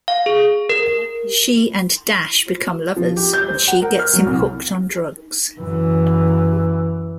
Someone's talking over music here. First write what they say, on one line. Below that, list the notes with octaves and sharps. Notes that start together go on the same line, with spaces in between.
She and Dash become lovers, and she gets him hooked on drugs.
F5
G#4
A#4
F3
G4
G6
C5
F#5
A#4
F6
F#3
C2
F#2 E3